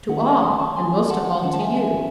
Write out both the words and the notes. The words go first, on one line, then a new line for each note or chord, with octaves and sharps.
"To all, and most of all to you."
D#3 A3 C#4 F#5
E5
D#5 F#5
C6 D#6
A5 C#6
G#5 C6
F#5 A5
D#3 G#3 C#4 F#5 A5
A5
E5 G#5
E5 G#5